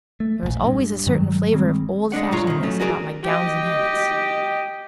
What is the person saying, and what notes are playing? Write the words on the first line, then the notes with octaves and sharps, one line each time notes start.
There is always a certain flavour of old-fashionedness about my gowns and hats.
A3
E1 A#1
G2
G2 D#3 F#3 G#3
D#3 G3 G#3 C4
G#3 A3 D4 F#5
G2 A#2 G#3 F4 C#5 A#5
C2 D#3
F#3 A3 C#4
F#4 G#4 A#4 B4 D5
G4 D#5